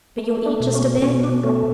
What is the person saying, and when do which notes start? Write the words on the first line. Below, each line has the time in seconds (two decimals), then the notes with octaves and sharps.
But you'll eat just a bit?
0.18 A3
0.46 D4
0.60 B2
0.74 C#4
1.02 B2 C#4
1.23 D4
1.44 A3 C#4